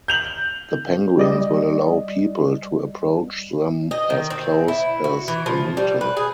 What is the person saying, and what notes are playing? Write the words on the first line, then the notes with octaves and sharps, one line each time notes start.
The penguins will allow people to approach them as close as a metre.
G6 F7 F#7
G3 D5 D#5
D#5
D#3
C4
E4
F#4
E3
F3
G3
B4
G#4